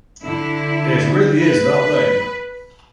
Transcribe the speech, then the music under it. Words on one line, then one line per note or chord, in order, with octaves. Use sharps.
It really is that lame.
D3 E4
B4